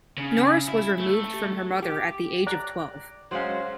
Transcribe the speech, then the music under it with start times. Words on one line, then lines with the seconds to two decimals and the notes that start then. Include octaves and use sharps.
Norris was removed from her mother at the age of twelve.
0.18 C#3
0.69 E4
0.99 A3
1.82 G4
2.47 D5 A#5 F#6
3.31 F#3 G#3 C#4 C5 F5